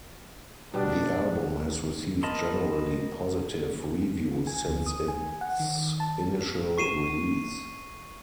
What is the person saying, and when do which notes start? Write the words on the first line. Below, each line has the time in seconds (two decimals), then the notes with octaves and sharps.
The album has received generally positive reviews since its initial release.
0.74 B2 G3 D4
2.23 A#4 D#5 A5 B5 C6
4.47 G#5
4.67 D2
4.86 D#6
5.08 G#5
5.41 F#5
5.60 D#3
6.00 A5
6.78 C#6 C7 D#7 E7